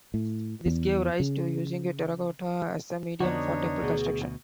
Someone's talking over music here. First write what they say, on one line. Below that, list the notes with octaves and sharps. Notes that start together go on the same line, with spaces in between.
This gave rise to using terracotta as a medium for temple construction.
A2
E2
C#3
F2 D3 B3 D4 D#4 F#4 C#5
D2 B2 G#4